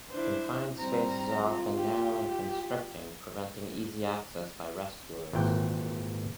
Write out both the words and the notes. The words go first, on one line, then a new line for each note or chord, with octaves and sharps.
Confined spaces are often narrow and constricting preventing easy access by rescuers.
D4 E4 C5
G3 C4 A#5
F4
G4
G#1 A#2 E3 G5